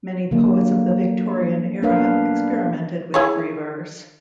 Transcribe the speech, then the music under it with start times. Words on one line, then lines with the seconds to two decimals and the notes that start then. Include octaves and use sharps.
Many poets of the Victorian era experimented with free verse.
0.31 D3 F#3 A#3
1.82 A#3 B3 D4 A#4 B4 F5
3.14 E4 G#4 C#5